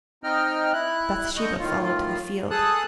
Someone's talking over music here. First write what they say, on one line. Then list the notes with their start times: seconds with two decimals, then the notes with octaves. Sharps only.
Bathsheba followed to the field.
0.24 C4 D#4 D#5 G5 F6
0.73 E4 F#6
1.37 D3 D#5 C#6 G6
1.59 A2 D#3 F4
2.51 G#4 A4 A5 D#6 F#6